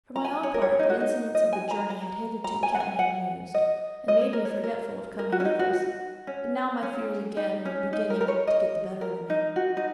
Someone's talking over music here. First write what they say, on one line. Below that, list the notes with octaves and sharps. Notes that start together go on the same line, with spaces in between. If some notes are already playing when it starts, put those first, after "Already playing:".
For my own part the incidents of the journey had hitherto kept me amused, and made me forgetful of coming evils; but now my fears again were beginning to get the better of me.
A#5
G#5
C#5
A#4
C#5
D#4
F#4
D#4
D#5
G#5
A#5
A#5
A#5
G#5
F#5
G#5
F#5
D#5
D#5
C#5
A#4
C#5
A#4
A#4
F#4
C#4
D#4
F#4
F#4
C#4
C#4
D#4
C#4
D#4
A#4
A#4
C#5
D#5
A#4
D#4
F#4
D#4